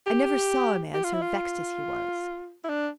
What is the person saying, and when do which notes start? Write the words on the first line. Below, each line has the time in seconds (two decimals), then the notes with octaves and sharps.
I never saw a man so vexed as he was.
0.06 G4
0.94 G4
1.04 F4
1.13 E4
1.22 F4
2.64 E4
2.69 D4